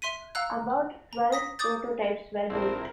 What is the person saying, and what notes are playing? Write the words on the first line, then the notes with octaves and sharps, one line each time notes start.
About twelve prototypes were built.
E5 C6 B6 D#7
F5 F#5 A#5 E6 F#6
A#5
D#6 A#6 B6
D6 D#6 G6 A6
A#1 G2 C4 E4 A#4